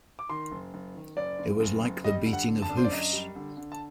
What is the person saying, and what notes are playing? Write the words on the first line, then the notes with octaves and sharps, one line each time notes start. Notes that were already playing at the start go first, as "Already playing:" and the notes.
It was like the beating of hoofs.
D6
D#3 C6
F#1
F#1
D#3
F#1 D5
F#1
F#1
F#1
G3 D#5
D3
F#5
D3
A5
D4
C5
D5
F#2 D#5
G3
D3
D3
A5